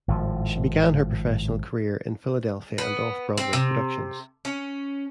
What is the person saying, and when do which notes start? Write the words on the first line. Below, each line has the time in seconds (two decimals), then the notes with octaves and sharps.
She began her professional career in Philadelphia and off-Broadway productions.
0.08 G#1 A2 F3
2.78 B3
3.38 C4
3.53 C3
4.45 C#4